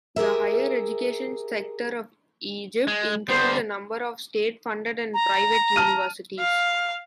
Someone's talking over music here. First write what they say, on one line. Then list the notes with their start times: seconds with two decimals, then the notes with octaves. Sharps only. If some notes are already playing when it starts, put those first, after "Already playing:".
The higher education sector of Egypt includes a number of state-funded and private universities.
0.16 G4 G#4 A#4 E5
2.88 G#3
3.29 D3 G3 B3 C5
5.14 A#5
5.76 A5 F6 D#7
6.39 F5